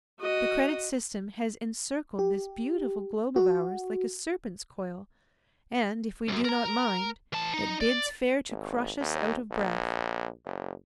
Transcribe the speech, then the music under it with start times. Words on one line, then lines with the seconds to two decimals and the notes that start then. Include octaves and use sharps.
The credit system has encircled this beautiful globe of ours like a serpent's coil, and if we do not mind, it bids fair to crush us out of breath.
0.21 F#4 D#5
2.19 G4
3.36 F#4
6.28 C2 F#2
6.45 A#4 A#5
7.33 E3 A5
7.54 D#4
7.81 D5
8.49 G#1
9.00 D#2
9.51 A#1
10.45 F#1